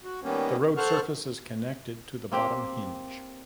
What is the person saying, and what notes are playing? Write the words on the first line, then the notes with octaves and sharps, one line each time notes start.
The road surface is connected to the bottom hinge.
F#4
D#3 G3 A#3 B3 C#4
A4 C5 F#5 C#6 F6
A#3 C4 G4